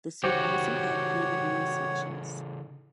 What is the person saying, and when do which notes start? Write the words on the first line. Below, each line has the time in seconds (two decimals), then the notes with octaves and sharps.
The suit also had pleated knee sections.
0.24 C#3 E3 D#4 F#4 G4 C5 C#5 F#5